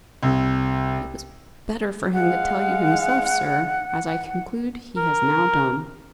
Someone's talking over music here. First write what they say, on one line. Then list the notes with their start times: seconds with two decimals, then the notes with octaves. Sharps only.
"It was better for him to tell you himself, sir; as I conclude he has now done."
0.23 C2
2.14 G#3 F5 F#5
4.97 A#4